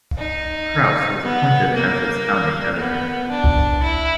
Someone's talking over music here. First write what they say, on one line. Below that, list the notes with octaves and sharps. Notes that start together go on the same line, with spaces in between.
Krauss was appointed as its founding editor.
D#4
B3
A#3
B3
D4
E4